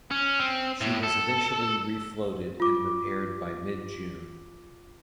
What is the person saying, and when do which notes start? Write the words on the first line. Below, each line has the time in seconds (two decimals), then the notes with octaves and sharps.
She was eventually refloated and repaired by mid-June.
0.11 C#4
0.39 C4
0.81 A2
1.03 A4
2.60 F4 D6